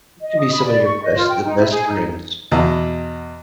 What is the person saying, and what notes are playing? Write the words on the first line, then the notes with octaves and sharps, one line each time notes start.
To be some of your best the best friends.
D#5
D#6
B5
D5
C#6
D#5
F4
G5
D#4
E4
G#4
D#4
E2 B2